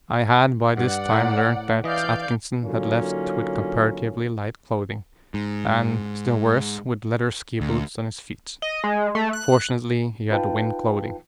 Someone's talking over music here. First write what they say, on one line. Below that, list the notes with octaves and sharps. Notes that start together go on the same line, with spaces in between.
I had by this time learnt that Atkinson had left with comparatively light clothing and, still worse, with leather ski boots on his feet; fortunately he had wind clothing.
G2 D5 F#5
A2 A#4
E3 D5 D#5 F5 G6
D3 F#3 A#3 C#4 D#4 F4
G#2
D2
D#5
G#3
A3
F#6
D#4 F4 B4 F5 G5 A5